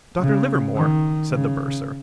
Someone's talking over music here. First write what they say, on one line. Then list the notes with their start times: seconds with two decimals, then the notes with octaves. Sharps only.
"Dr. Livermore?" said the bursar.
0.19 C#3
0.75 D#3
1.31 C#3